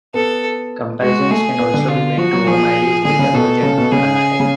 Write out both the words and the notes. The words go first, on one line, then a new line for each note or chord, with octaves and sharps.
Comparisons can also be made to O'Malley's later project Khanate.
B3 A4
G#3 F#4
A3 G#4
B3
D3
F4
F3 F#4
F#3
F3 G#4
D3 G#4
C#3
B2 A4
C#3
B2
C#3 G#4
C#3